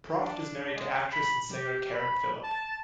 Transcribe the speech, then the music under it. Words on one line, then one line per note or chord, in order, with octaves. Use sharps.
Proft is married to actress and singer Karen Philipp.
D4
G#3
B5
G4
B5
A5